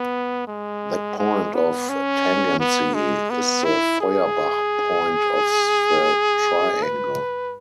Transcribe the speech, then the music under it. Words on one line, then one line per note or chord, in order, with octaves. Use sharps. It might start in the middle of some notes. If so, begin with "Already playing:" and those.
That point of tangency is the Feuerbach point of the triangle.
Already playing: B3
G#3
G#3
B3
C#4
B3
G#3
B3
E4
G#4
B4